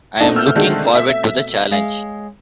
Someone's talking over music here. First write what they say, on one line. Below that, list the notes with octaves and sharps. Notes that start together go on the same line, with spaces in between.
I am looking forward to the challenge.
B2 A3 C4 D4 D#4
E6 F6 G6
D3 D#3 G#3
E5
G#3 C#5 F5